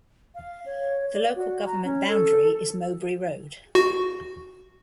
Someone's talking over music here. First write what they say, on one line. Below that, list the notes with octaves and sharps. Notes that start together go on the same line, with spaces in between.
The Local Government boundary is Mowbray Road.
F5
C#5
D5
F#4
A#5
C#4
A4
F#4